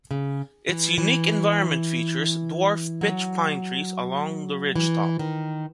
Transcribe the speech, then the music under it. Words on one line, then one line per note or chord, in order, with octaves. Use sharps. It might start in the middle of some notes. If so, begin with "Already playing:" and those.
Its unique environment features dwarf pitch pine trees along the ridgetop.
C#3
E3
E3
F#3
E3
D#3